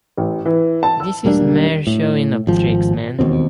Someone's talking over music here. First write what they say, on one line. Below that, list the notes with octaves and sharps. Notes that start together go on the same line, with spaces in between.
This is mere showing of tricks, man!
A1
E3
A5
E6
E1 G3 A#3 D4
A2
G#1 F3
E1 D#2 B2 C4